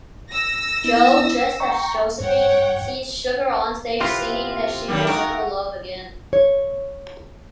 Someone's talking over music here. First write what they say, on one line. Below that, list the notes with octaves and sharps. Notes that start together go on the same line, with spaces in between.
Joe, dressed as Josephine, sees Sugar onstage singing that she will never love again.
E6 A#6
B3 E4
G5 A#5 C#6
G2 C#5 F#5 G5
C3 C4 E4 F4 B4 F#5
D#3 F#3 G3
A#3 D#4 F#4 A#4
C#5